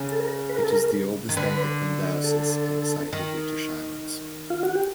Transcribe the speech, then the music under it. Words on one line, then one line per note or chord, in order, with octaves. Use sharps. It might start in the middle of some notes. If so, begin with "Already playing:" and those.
It is the oldest Anglican diocese outside the British Islands.
Already playing: C#3
A4
A#4
B4
A#4
A4
A#4
D#3
D3 B4
A4
D#3
F4
F#4
G4